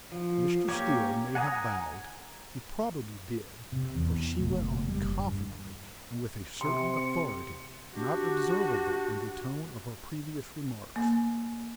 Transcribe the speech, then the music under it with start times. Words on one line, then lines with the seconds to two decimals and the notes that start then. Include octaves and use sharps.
Mr. Steele may have bowed; he probably did, for she went on confidently and with a certain authority not observable in the tone of her previous remarks.
0.12 F3
0.68 A#3 C#4 G4 C#5
1.35 F#5 G#5 A#5 D#6
3.72 C3
3.95 E2
4.39 F#1 F2 B2 A3
4.88 F#1 G3
5.17 G2
6.61 C3 C6 C#7
7.94 D4 F#4 G4
10.96 A#3